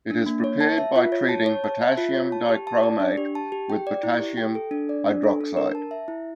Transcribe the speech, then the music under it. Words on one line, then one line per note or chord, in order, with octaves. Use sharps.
It is prepared by treating potassium dichromate with potassium hydroxide.
D4
A#3
C#5
A5
E5
F4
C#5
A5
C#5
A5
E5
F4
C#5
A5
G4
A5
D5
D4
G4
A5
G4
G5
D5
E4
G4
G5
A4
D4
D5
D4
A4
D4
A#4
A5
E5
E4